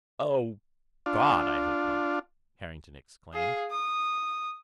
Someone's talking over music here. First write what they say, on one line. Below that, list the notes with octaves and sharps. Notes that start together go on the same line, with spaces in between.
"Oh, God, I hope not!" Harrington exclaimed.
D4 F4
G#4 F5
D#6